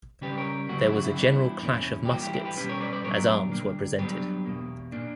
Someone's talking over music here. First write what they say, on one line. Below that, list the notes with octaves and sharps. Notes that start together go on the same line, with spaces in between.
There was a general clash of muskets, as arms were presented.
C#3 G3 C#4 G4 B4
A#4 C#5
D2 C#3 F#3 A#3 F#4
E4
F#4
E4
G2 E3 B3 D4 E4
E2 B2 A#3 C#4
G4
G2 E3 A#3 F#4
E4 G4
E4 G4
G4 B4
B2 G3 C#4 G4 B4
A#4 C#5
B4 D5
B4 D5
A#2 F#3 B3 D4 A#4 C#5
G2 D3 A#3 D4
G2 F#3 B3 D4 G4 B4
E2 B2 A#3
A#2 A#3 D4